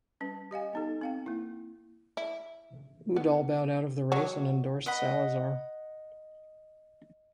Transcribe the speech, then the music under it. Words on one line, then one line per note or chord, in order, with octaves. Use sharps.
Udall bowed out of the race and endorsed Salazar.
G3 C#4 B4
G4 D#5 F5 G#5
B3 D#4 A4
C4 F5 G5
A#3 E4
E4
B3
F#3
D#5 F#5 B5